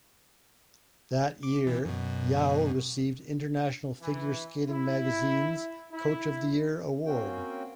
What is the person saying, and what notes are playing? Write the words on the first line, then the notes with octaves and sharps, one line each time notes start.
That year, Yao received "International Figure Skating Magazine"'s Coach of the Year award.
D6
C3 E3
F#2 B2
E3
E4
E4
A#3 C4 C#4 F#4 G5